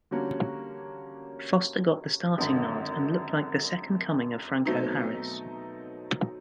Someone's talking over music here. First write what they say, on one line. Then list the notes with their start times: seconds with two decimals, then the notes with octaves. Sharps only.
Foster got the starting nod and looked like the second coming of Franco Harris.
0.11 D3 G3 A#3 C#4 F#4
2.38 G#1 F#2 D3
4.65 B2 F#3 A3 C4 D#4